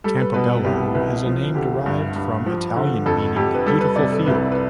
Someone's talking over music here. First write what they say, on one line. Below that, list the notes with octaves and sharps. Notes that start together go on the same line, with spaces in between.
Campobello is a name derived from Italian meaning "beautiful field".
G3 A4
B4
B2 B4
C2 G4
C2 B4
F3
D3 G4
G2
G2
F3
D3
F2 A4
F2 G4
B4
G3 A4
B4
C3 D5
A4
C2 B4
B4